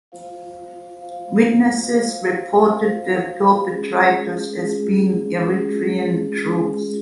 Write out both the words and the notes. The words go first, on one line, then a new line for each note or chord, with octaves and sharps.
Witnesses reported the perpetrators as being Eritrean troops.
F4 C5 F5
F4 C5 F5
F4 C5 F5
F4 C5 F5
G#3 C#4 F4 G#4
G#3 C#4 F4 G#4
G#3 C#4 F4 G#4
G#3 C#4 F4 G#4